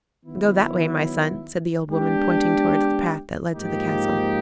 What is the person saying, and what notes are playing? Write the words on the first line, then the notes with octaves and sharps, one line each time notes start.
'Go that way, my son,' said the old woman, pointing towards the path that led to the castle.
D#3 F#3 B3 E4
G#3 B3 D4 G4
G#2 F3 A#3 D#4 G4